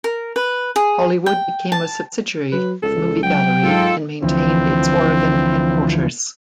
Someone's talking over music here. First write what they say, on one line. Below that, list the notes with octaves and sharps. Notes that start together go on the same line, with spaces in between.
Hollywood became a subsidiary of Movie Gallery and maintained its Oregon headquarters.
A#4
B4
G#4
G5
A5
F#3 B4
C#2 A4
F#3 G5
G#2 D#4 F4 A4
D2 E3 F3 C4